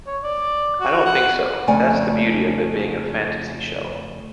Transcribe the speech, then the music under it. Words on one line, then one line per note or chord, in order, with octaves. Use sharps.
I don't think so...That's the beauty of it being a fantasy show.
C#5
D5
F#4
F#5
F2 C#3 A3 D5 G#5